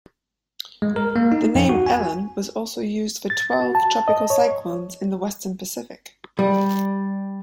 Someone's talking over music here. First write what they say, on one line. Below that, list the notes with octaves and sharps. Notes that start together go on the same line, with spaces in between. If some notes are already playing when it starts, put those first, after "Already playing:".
The name Ellen was also used for twelve tropical cyclones in the Western Pacific.
G#3
A#4
A#3
D#4
F2
F#4
G#5
A6
F#4
A5
D#5
C#5
G3